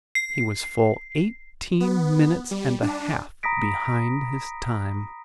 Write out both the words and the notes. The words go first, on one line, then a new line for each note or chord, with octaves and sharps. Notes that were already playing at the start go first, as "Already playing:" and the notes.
He was full eighteen minutes and a half behind his time.
C7
B3
G3
D4
A#5 B5 D#6 A#6 B6 D7